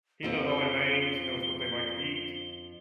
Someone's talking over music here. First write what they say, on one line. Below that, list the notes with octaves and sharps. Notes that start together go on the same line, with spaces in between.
he knows all their names, he knows what they like to eat.
F2 F3 C4 G7